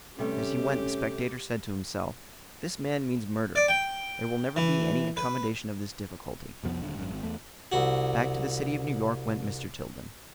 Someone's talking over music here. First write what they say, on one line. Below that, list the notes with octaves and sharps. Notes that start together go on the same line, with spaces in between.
As he went the spectator said to himself, "This man means murder; there will never be any accommodation of this difficulty." Back to the City of New York went Mr. Tilden.
C3 G3 A3 C#4 G4
D5
G5
E3
B4
C2 F2 F3 B3
D#1 D3
G#1 F#2
G#1
E2 A3
C2 F#4